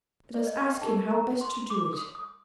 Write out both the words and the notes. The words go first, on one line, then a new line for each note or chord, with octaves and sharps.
Let us ask him how best to do it.'
D5
D#5
F5
G5
D#4 G4 A#4 A5
A#5
C6
D6
D#6
D#6